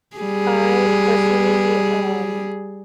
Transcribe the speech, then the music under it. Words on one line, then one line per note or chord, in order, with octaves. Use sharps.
I personally, um
G3 G#4